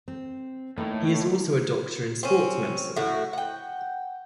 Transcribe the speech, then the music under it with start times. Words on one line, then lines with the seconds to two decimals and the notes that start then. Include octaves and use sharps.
He is also a doctor in sports medicine.
0.08 C4
0.77 A2 A#3 D#4 B4
2.23 C4 C#4
2.96 A2 F#4
3.33 F#5 G5